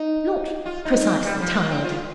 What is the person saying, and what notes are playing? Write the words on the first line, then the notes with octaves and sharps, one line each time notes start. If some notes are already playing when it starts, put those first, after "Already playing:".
'Not precisely tired.
Already playing: D#4
F4
D#4
C4
G3
F3
A#3
C4
F4